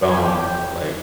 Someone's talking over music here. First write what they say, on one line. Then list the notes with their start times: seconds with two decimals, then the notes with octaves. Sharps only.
bones of, like,
0.09 G#4
0.17 F3 G#3
0.25 G4
0.43 C3